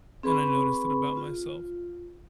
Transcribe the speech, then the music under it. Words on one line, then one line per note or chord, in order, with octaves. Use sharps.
and I noticed that about myself.
C4 G#4 B4 B5 C#6
F4